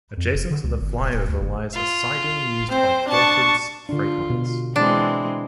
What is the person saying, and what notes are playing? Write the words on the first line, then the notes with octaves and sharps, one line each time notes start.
Adjacent to the flyover lies a siding used by Crawfords Freightlines.
F2
F1
D3
C#2
G1
D#1
D#1
D2
F#1
F4
C4 C5
D4 A5 C#6
D3 D4 F4
B2
E3 G#3 C4 D4